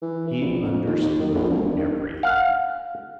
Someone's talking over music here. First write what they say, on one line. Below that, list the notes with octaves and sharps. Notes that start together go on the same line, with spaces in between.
He understood everything.
E3
E3
A#1
F2
D#2
D#2
D#3
A#1
E1
G2
D#3
F5 F#5